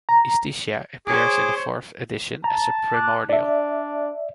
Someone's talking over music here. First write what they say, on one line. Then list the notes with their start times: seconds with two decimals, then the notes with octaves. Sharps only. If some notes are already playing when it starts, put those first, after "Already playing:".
Istishia appears in the fourth edition as a primordial.
0.09 A#5
1.07 G#4 C5 C#5 D6
2.44 A5 A#5
2.94 D6 F#6
3.29 D4 D5 E5